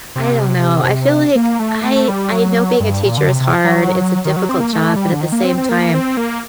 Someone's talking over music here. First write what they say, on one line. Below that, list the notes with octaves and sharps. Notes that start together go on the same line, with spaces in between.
I don't know, I feel like I I know being a teacher is hard, it's a difficult job, but at the same time,
C3
A#3
A3
A3
G3
F#3
G2
A#2
D3
C3
C3
F#3
D#3
F#3
C4
A#3
A3
G3
D3
D#3
A#3
C4
C4
A#3
C4
A#3